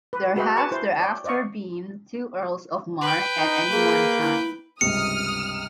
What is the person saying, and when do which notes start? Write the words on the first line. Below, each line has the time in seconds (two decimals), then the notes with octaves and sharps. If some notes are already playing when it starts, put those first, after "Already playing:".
There have thereafter been two earls of Mar at any one time.
0.13 B4
0.36 F#4 G#4 B4 D#5 E5 G5
0.57 B4 G#5 A5 C#6
0.71 E4 C5
1.00 C#5 D5 G5
1.24 C5 D5 D#5 F5 C#6
3.01 B4 G5
3.38 D#4
3.71 A#3 G#4
4.21 E4
4.81 C#2 G2 C3 D#6 F6 C#7